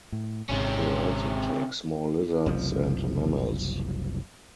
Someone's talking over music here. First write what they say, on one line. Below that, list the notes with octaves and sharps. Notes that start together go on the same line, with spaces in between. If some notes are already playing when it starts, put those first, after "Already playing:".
It will also take small lizards and mammals.
A2
G#1 G#2 C3 G#3 C#4
F#1 C2 F3